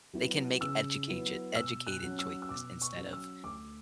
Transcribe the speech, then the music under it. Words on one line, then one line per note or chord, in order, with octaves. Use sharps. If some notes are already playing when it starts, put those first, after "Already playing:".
they can make educag educated choices instead of,
F#3 B3 E4
C#3 E6
F#3 B3 E4
B2 E6
F#6
F#3 C#4
E6
E6
B2 D6
C#6
F#3 C#4
E6
D2 D6